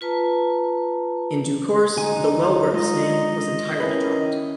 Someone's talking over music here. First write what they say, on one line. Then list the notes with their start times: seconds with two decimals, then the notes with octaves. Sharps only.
In due course, the Wellworths name was entirely dropped.
0.01 F4 B4 A5 A#5
1.97 D2 D#4 G4 G#5
2.74 G#3 D#4 F4 D#5
3.80 D#3 C#4 E4 B4